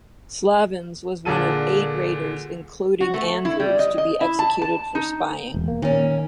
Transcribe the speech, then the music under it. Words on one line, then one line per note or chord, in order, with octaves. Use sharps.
Slavens was one of eight raiders including Andrews to be executed for spying.
A#2 D3 G#4 A4 D#7
F#4
A3
E4
G3
D#5
D#5
E4
A5
A5
D#4
E1
A#3
A#2 D#3 C#4